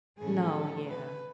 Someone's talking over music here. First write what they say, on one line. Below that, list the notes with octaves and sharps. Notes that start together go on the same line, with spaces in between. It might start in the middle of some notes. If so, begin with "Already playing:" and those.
No, yeah.
A2 E3 A3 C#4 G#4
A4
B4